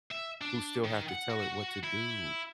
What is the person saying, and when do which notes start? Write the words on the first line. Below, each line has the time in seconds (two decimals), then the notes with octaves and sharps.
who still have to tell it what to do.
0.11 E5
0.41 D4
0.84 D#3
1.09 F#5
1.29 F#4
1.84 E4